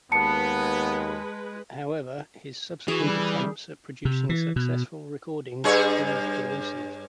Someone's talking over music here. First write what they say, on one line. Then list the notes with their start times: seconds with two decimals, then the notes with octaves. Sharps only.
However, his subsequent attempts at producing successful recordings proved elusive.
0.12 D#2 G#3 B3 B4 A5 C#7
2.88 E3 F#4 G#4
3.04 G3
4.05 C3
4.29 E3
4.56 B2
5.64 G2 G#4 C#5